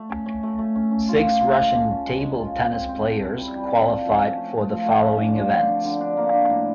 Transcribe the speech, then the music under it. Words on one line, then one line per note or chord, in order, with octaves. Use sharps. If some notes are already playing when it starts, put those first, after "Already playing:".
Six Russian table tennis players qualified for the following events.
Already playing: A3
C#4
C#4
A3
A3
C#4
C#4
F4
F4
F4
G#3
A4
C#4
G#3
G#3
F4
C4
C4
C4
A4
E4
G3
G3
A4
F3
F3
C#4
A3
A3
F3
A3
C#4
D4
F3
D3
D4
D3
D4
A#3
D4
A2